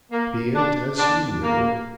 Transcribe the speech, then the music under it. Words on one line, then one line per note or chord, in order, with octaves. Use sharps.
"Be it as you will."
A#3
D4
D4
A#3